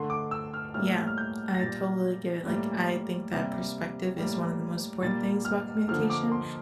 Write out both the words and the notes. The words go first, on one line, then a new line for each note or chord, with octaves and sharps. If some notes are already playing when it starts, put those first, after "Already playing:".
Yeah, I totally get it, like, I think that perspective is one of the most important things about communication.
Already playing: D3 A3 C6
D6
E6
F6
A2 G3 A#3 F6
F6
G6
A#6
A#2 G3 A#3 A6
A2 G3 A#3
C3 G3 A#3
A2 G3 A#3
A#2 G3 A#3 A6
F6
D3 F3 A#3 F6
D6
C6